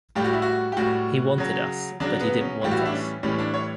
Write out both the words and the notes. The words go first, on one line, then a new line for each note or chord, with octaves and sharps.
He wanted us but he didn't want us.
A2 G3 G4
F#4
E4
F#4
G4
A2 G3 F#4
C#3 F#3
C#3 F#3 D4
B3
C#4
A2 E3 G3 G4
F#4
E4
D4
C#4
A2 E3 G3 C#4
D4
C#5